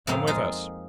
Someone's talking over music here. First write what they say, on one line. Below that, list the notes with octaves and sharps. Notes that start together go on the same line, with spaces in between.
"Come with us!"
F2 A2 A#3 C4 G#4 F5
G#3 D#4 F4 G#4